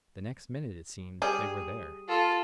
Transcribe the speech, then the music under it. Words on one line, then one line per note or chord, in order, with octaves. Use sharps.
The next minute, it seemed, they were there.
G3 G#4
F4 A4